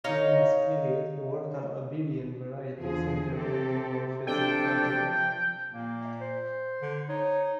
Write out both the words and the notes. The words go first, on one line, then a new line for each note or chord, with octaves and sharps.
During this period he worked on Abelian varieties and their endomorphism algebras.
D#4 C#5 F5
E2 D3 F3 G#4
C3 C4 G4 A4
F3 D4 A4 G5
A#2 A#3
C5
D3
D#4 C#5